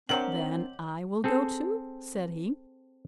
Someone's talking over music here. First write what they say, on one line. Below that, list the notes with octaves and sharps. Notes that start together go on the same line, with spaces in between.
"Then I will go too," said he.
D#3 F#3 C4 D4 G4 A#4 C5 F#7
C4 G#4 A4